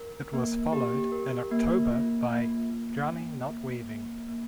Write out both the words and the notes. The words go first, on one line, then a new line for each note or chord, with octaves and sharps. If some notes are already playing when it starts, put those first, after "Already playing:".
It was followed, in October by "Drowning Not Waving".
Already playing: A#4
A#3
G4
A#4
A#3
F4
A#3
A#3
C#4
A#3
A#3
A#3